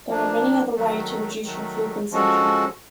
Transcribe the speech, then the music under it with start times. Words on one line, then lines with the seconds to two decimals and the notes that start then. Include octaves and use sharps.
There are many other way to reduce your fuel consumption.
0.09 F3 A#3 D4
0.76 D#3 F#3 A3
1.44 D#3 F#3 A3
2.11 F3 G#3 C#4 F#4 A4